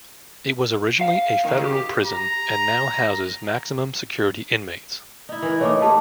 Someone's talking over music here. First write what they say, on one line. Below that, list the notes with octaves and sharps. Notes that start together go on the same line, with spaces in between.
It was originally a federal prison and now houses maximum security inmates.
F5
D#3
G4
A#5
D#4 E4
E3 A#4
A3 A#3 D#4 C#5 D#5 D6
B3 G4 A5